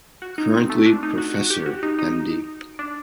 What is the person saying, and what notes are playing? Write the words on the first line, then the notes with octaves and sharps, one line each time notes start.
Currently Professor Md.
F#4
D#4
C4
A3
D4
D#4
F#4
F#4
G4
F#4
D#4
D#4
D4